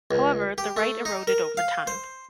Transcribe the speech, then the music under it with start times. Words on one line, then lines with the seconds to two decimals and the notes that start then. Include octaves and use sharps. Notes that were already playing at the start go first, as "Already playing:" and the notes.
However, the right eroded over time.
0.11 C#2
0.58 G4
0.77 A3
1.05 D#4
1.27 A#4
1.57 F5
1.87 C5